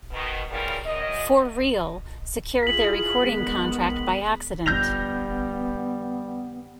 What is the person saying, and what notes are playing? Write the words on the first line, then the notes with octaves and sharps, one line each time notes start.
For Real secured their recording contract by accident.
B2 D#3
G2 C#3 E3 F3 G3 A#4
F#2 D#5
E4 F4 G#4 B6 F#7
D#3 G#3 B3
F2 D3 G3 B3 G6 A#6 F7